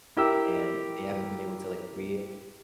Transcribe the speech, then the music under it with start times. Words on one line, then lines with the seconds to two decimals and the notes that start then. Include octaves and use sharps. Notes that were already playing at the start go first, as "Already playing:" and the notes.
and they haven't been able to, like, real
0.17 E4 G4 A#4 E6